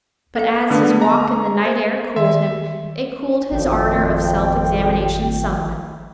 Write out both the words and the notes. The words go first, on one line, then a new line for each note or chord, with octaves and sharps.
But as his walk in the night-air cooled him, it cooled his ardor of self-examination somewhat.
A4 F5
D3 A3 B3 B4
D#5 A#5
C5
D#3 E5
G#1 F2 G5